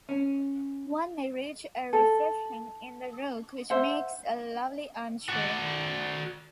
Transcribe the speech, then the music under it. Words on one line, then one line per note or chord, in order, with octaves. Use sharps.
One may reach a recession in the rock which makes a lovely armchair.
C#4
A4
C5 E5 F#5
F#4 D5